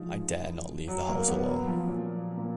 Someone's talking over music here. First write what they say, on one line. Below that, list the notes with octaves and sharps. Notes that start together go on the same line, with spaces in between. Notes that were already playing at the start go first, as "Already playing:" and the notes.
I dare not leave the house alone.
Already playing: F3 G#3 D#4
F#3
A#3
B3
F#3
F3
A#2
A#2